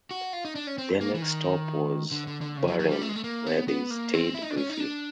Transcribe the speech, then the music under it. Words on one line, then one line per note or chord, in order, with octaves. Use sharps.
Their next stop was Bahrain where they stayed briefly.
F#4
F4
D#4
D4
C#4
C4
A#3
E3
D#3
D3
D3
D3
C#3
F#3
F#3
G3
A3
G#3
A3
A#3
B3
B3
A#3
C4
E4
D#4
D4
C#4
D#4
D4